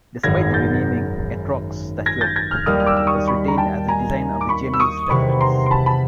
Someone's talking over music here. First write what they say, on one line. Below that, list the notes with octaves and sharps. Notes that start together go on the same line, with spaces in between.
Despite the renaming, Etrog's statuette was retained as the design of the Genie statuettes.
G#1 F#2 D#3 G#6 A#6
G6 A6
G#6 A#6
G6 A6
G#6 A#6
F6 G6
D#2 D#3 G3 D#6 F6
F6
D6 E6
E6
C#6 D#6
B5 C#6
A#5
G5 A5
G#5 A#5
D6
B5 C#6
E6
C#6 D#6
E2 C3 D#3 B5 C#6
A#5 C6
C6
A5 B5
A5 B5